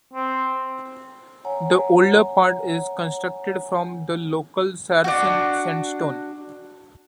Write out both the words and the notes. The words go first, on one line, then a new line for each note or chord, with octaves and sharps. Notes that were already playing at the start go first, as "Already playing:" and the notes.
The older part is constructed from the local sarsen sandstone.
C4
C#5 F#5 G#5 A#5
D4 F#4